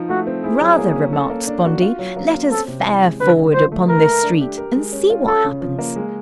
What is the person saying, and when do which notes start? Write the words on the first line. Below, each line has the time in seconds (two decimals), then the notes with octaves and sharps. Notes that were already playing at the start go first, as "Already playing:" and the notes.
Rather, remarked Spondee, let us fare forward upon this street and see what happens.
Already playing: F3 D#4
0.09 A3 F#4
0.27 C4
0.44 E4 G#4
0.61 F#3
0.78 A#3
0.96 C#4
1.13 A4
1.30 A#3
1.47 D4
1.65 F#4
1.82 F4
1.99 F#3
2.16 A#3
2.34 C#4
2.51 C4 A4
2.68 C3
2.85 E3
3.03 G#3
3.20 D3 B4
3.37 D3
3.54 F3 C5
3.72 A3
3.89 A#4 B4
4.06 A3
4.23 D4
4.41 G4
4.58 A#4
4.75 G#3
4.92 C#4
5.10 F4
5.27 C#4 A4
5.44 C#3
5.61 F3
5.79 A#3
5.96 G#3